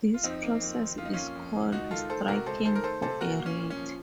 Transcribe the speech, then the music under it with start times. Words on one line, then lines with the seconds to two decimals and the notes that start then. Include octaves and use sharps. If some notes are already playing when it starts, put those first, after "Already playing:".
This process is called "striking for a rate".
0.14 F4
0.24 F2 C4 D#4
0.42 A#3
0.61 F2
0.79 D#3
0.98 F2 F4
1.05 D#4
1.14 A#3 C#4 F4
1.35 F2
1.54 D#3
1.72 C#2 D#4 F#4
1.91 D#3 F4 A4
2.10 A3 A4 C5
2.28 C3 F#4 A#4
2.46 C#2 A4 C5
2.65 D#3 A4 C5
2.76 A#4
2.84 A3 A4 C5
3.02 C3 A4 C5
3.21 A#2 F#4 A#4
3.39 A#3
3.46 C#4
3.58 A#2
3.70 C#4
3.77 F3